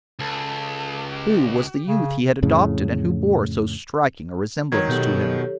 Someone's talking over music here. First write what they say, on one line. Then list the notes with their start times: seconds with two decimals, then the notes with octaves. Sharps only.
Who was the youth he had adopted and who bore so striking a resemblance to him?
0.19 C#2 A4
1.10 G4
1.87 C#3
2.42 F2 A2 C#3
4.72 D#3 F#3 C#5 A#5 G#6
4.89 B2 G4 A4 C#5 G6 F#7